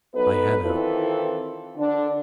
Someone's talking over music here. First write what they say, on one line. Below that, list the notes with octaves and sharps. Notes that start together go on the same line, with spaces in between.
I had her!
F#3 B3 D#4 A4 B4
D#3 E3 C4 E4 F4 A4
D3 D4